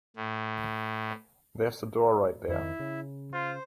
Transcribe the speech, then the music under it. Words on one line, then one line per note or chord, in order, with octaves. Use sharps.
There's the door right there.
A2
F2 D#3 E4
C#3
F4 C5